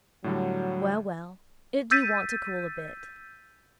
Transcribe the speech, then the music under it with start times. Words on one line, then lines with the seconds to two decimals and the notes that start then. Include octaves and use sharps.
'Well, well; it do want to cool a bit.
0.24 A2 D3 F#3 G3
1.91 E6 G6 A6 B6 D#7